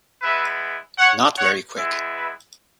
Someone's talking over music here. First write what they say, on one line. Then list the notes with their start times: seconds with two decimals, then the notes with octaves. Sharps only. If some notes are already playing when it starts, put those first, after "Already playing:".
Not very quick.
0.22 G#3 B3 E4 B4 E5
0.98 C#5 F#5
1.37 C#5 F#5
1.76 G#3 B3 E4
2.14 B4 E5